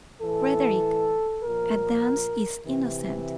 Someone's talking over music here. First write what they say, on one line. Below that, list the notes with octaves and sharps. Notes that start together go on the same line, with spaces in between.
"Frederick, a dance is innocent."
A2 E3 A4
A#2 F3 A#4
C3 E3